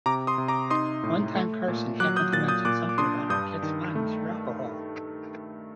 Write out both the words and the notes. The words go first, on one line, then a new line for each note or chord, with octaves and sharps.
One time Carson happened to mention something about Arquette's fondness for alcohol.
C3 A#5 D6
C6 D#6
C3
A#5 D6
D#4 C6 D#6
A2
A3
A#2
F#3 D6 F#6
D#6 G6
A#2 F#6 A6
D#6 G6
A#2 D6 F#6
D6
D4 C6 D#6
G2 D#6 G6
D#3
A3